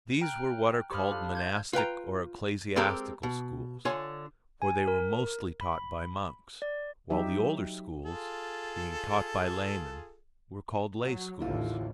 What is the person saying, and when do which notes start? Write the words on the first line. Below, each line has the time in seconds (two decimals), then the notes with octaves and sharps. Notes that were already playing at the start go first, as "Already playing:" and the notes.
These were what are called monastic or ecclesiastical schools, for they were mostly taught by monks; while the older schools, being taught by laymen, were called lay schools.
0.21 G5 A#5 F6 F#6
0.90 G4 C5 D#5 F5 B5 F6
1.11 D4 F4 A4
1.35 G6 G#6
1.73 F4 B4 G5 A#5
2.76 G#3 C4 G4 A4 A#4
3.23 B2
3.85 D3 F4 C#5 G#5
4.62 G#5
4.88 A#4
5.61 B5
6.62 D5
7.10 F#3 D#4 G4 E5
8.06 F4 G#4 A4
11.02 F#3
11.40 A1 D#2 D3 E4 F4